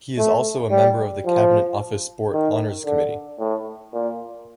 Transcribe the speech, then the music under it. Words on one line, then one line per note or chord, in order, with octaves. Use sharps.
He is also a member of the Cabinet Office Sport Honours Committee.
A3
G3
F3
D#3
D3
A2
A#2